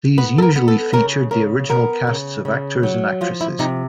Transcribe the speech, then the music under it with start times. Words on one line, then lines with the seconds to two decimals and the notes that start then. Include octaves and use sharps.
These usually featured the original casts of actors and actresses.
0.18 B3 B4
0.38 A4
0.42 A#4
0.56 B3
0.68 A4
0.93 C#3 A#4
1.31 C#3 A#4
1.69 B3 A#4
2.07 C#3
2.45 C#3
2.83 F#3
3.21 F3 F4
3.41 E4
3.59 C3 D#4